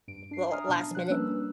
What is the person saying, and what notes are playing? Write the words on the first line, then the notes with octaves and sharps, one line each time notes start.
Well, last minute.
G2 D7
D4 C7
E5 G#5 A#5 D#6 F6
B2 D4 A5
F3 F#6
G3 A#3 C#4 D4 B4 E6